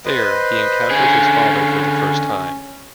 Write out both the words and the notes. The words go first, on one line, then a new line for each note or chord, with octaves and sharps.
There, he encounters his father for the first time.
B4 C5 D#5
D3 C#4 G#4